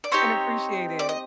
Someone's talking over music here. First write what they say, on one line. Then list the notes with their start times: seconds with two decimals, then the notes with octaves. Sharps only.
and appreciate it.
0.04 D5
0.12 C4 D#4 G4 C#5
0.99 D5
1.09 D#5